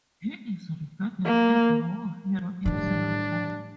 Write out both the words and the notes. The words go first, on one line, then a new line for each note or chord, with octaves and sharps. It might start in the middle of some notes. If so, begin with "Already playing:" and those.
He is regarded as a war hero in Singapore.
A#3
A2 D#3 F#3 G3 D4